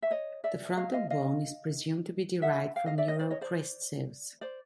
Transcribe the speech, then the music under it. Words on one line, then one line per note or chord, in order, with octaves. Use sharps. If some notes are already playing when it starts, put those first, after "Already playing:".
The frontal bone is presumed to be derived from neural crest cells.
E5
C#5 D#5
D5 E5
D#5 F5
D#5 F5
D#5 F5
E5 F#5
F5 G5
D#5 F5
D5 E5
C#5 D#5
C5 D5
C#5 D#5
C5 D5
C5 D5